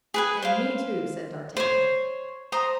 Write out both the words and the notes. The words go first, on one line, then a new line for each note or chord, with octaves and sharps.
"And me, too!" said d'Artagnan.
G#4 B4 G#5
C5 F5
C5 C#5
C5 A#5 D#6